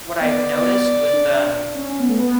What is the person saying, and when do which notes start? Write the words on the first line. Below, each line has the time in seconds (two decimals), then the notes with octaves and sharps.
what I've noticed with um
0.20 B3 D5
1.13 D4
1.75 C#4
1.90 C#4
1.99 B3
2.09 A3
2.18 B3